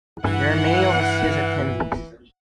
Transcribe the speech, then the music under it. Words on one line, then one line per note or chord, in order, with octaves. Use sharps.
There are many overseas attendees.
G2 E3 F#5